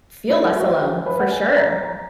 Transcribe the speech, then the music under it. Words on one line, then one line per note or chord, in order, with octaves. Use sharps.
feel less alone, for sure.
E4
F#4
G#4
B4
F#5
G#5
A#5
A#5